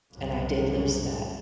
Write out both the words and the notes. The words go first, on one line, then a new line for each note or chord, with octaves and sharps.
and I did lose that
C2 F#2